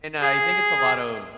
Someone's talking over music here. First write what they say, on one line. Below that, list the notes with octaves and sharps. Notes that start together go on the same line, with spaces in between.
and I think it's a lot of
G#4